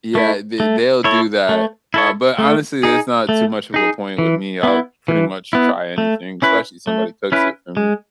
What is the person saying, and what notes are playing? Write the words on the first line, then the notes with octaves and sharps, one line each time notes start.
Yeah, they they'll do that. Uh, but, honestly, there's not too much of a point with me, I'll pretty much try anything, especially if somebody cooks it for me.
A3 E4
A3
E4 A4 C#5
A3
E4 A4 C#5
A3
D#4 G#4
A3
D#4 G#4
E3
B3 E4
E3
B3 E4
A3
C#4 E4 B4
A3
C#4 E4 B4
G#3